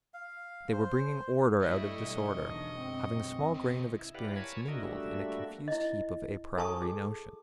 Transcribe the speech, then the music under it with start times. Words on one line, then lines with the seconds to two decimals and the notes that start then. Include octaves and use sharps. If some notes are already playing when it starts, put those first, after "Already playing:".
They were bringing order out of disorder, having a small grain of experience mingled in a confused heap of a priori notions.
0.14 F5
0.73 C5
1.62 G3 A3 E4 A4 D#5 C#6
2.02 B1 D3
2.40 E2 D#3 D4
2.76 F#2 G#3 C4
3.12 C4
3.55 C#3 C5
3.99 E4
4.15 E4 G4 B4 D5 F5 F#5
4.36 A#4 C#5 G#5 A5 B5
4.68 D4 F#4 A#4 D#5 E5
4.84 G3 A3 A#3 D4 F#4 E5
5.68 E4 D#5
6.58 A4 G#5 A5 C#6 D#6
6.82 G#4